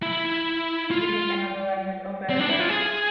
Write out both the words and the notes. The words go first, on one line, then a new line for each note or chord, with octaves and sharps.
Using another language or version?
E4
F4
C4
D4
E4
F4
G#4